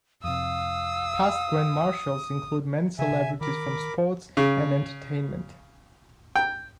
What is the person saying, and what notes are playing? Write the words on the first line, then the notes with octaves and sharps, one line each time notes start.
Past Grand Marshals include many celebrities from sports and entertainment.
F2 C3 F5 D#6 E6
C#3 E5 G#5
C3
D#3 A#4 B5 D6
C#3
G5